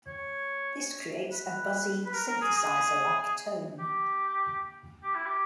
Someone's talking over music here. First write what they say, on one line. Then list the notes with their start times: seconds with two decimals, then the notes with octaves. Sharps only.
This creates a buzzy synthesizer like tone.
0.06 C#5
1.31 B4
2.05 B4
2.13 A#4
2.27 A#4
2.41 G#4
2.55 G#4
3.79 G4
5.03 G4
5.15 E4
5.26 G4